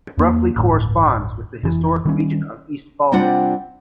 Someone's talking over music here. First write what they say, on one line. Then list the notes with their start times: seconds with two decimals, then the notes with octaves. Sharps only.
It roughly corresponds with the historic region of Eastphalia.
0.18 E2 A#3
0.56 D1 G1 A2
1.63 F1 E3
2.06 D#3 G3 C#4
3.12 C3 G3 C4 D4 F4 F#5